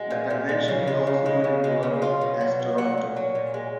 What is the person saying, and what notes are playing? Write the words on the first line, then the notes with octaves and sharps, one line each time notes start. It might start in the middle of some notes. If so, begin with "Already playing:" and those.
The convention is also known in Europe as "Toronto".
Already playing: G#3 F#4
A#2
A#2
G#3
C#3
G#3
C#3
G#3
C#3
G#3
C#3
F#3 F4
B2
F#3
B2
F#3 F#5
A#2
F#3
A#2
G#3